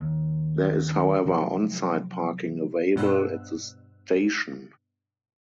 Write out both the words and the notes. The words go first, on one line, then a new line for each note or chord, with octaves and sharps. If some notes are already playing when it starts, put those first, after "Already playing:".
There is however onsite parking available at the station.
D#2
C3 F3 F#3
G2 B2 C5 E6 F#6